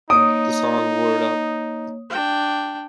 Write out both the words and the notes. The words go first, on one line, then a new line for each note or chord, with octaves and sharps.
The song Word Up!
A#3 D#4 C#5 D#6
D4 G5